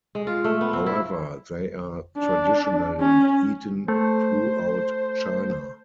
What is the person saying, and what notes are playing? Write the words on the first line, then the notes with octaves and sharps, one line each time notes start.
However, they are traditionally eaten throughout China.
G#3
F4
A3
B3
C4
E4
D4
C#4
A3 C5